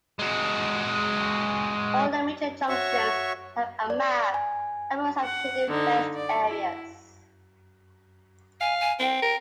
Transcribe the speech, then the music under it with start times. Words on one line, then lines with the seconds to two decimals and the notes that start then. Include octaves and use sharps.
All the major junctions have a map and most have shaded rest areas.
0.19 G#3 F#4
2.68 F#4 C#5 E5 C#6
3.90 D5
4.34 G#5
5.23 F#5
5.68 D3 D#4
6.15 D5
6.49 E4
8.61 F5 G#5
8.80 G#5
8.99 C4 G5
9.22 A#4